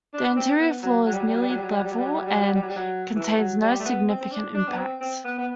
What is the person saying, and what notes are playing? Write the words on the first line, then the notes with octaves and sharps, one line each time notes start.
The interior floor is nearly level and contains no significant impacts.
D4
C4
B3
F#3
F#3
G3
F#3
G3
F#3
G3
F#3
G3
F#3
G3
F#3
G3
F#3
G3
F#3
G3
F#3
G3
F#3
G3
F#3
G3
F#3
G3
F#3
E3
F#3
G3
A3
B3
C4
C4
D4
D4
B3
C4
C4
B3
B3